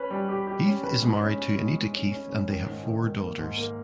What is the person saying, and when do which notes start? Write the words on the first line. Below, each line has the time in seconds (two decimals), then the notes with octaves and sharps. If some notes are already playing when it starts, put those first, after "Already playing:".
Keith is married to Anita Keith and they have four daughters.
Already playing: C#4 B4
0.10 G3
0.29 G4
0.47 G4
0.66 C#4
0.84 B4
1.02 G#3
1.21 C#4
1.38 C#4
1.56 G#3
1.75 G#3
1.93 C#4
2.11 C#4
2.29 C#4
2.48 D#3
2.66 G#2
2.84 D#3
3.03 D#3
3.20 A#3
3.39 G#2
3.57 A#3